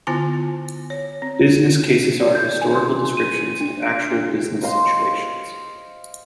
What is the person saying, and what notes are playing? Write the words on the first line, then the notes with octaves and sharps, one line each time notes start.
Business cases are historical descriptions of actual business situations.
D3 B3 E4 F4 G#5 A5
C#5
C4
D5
G6
G#5
C6
D#7
D4
D7
C5 D#5 F5 C6